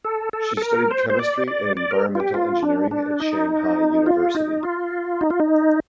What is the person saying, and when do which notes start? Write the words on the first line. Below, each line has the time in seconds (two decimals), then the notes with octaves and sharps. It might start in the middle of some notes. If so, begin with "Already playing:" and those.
She studied chemistry and environmental engineering at Shanghai University.
0.04 A4
0.33 A4
0.57 A4
0.62 A#4
0.91 C5
1.10 C5
1.19 D5
1.47 D5
1.77 D5
1.91 A#4
2.15 F4
2.20 G4
2.34 F4
2.63 D4
2.91 D4
3.20 D#4
4.06 F4
4.35 D#4
4.63 F4
5.21 D#4
5.30 F4
5.40 D#4